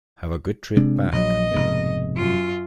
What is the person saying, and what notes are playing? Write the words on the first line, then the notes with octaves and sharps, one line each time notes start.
Have a good trip back.
C3 G#3 D4
A#1 F#3 D#5
F1 G#2 B2
F#2 F4